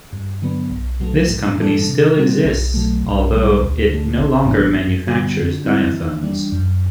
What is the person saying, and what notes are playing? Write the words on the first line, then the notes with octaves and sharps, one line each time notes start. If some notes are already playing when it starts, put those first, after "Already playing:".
This company still exists, although it no longer manufactures diaphones.
G2
D3 F#3 B3
B1
B2 F#3 A3
A2
E3 G3 D4 A4
C3
G3 C4 F#4
B1
B2 F#3 A3
B1
B2 G3
D2
D3 A3
A1
A2 E3 B3 D4
G2
D3 G3 B3 F#4
D3
G3 C4 E4
E3
G3 D4
F#2